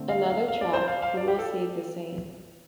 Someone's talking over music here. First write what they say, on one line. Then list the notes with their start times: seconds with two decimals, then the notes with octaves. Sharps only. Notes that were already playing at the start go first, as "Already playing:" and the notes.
Another track, Who Will Save the Sane?
Already playing: D3 A3 C4
0.09 F5
0.30 F5
0.48 F5
0.61 D5
0.73 C5
0.88 F5
1.02 F5
1.17 D5
1.28 G4
1.39 A4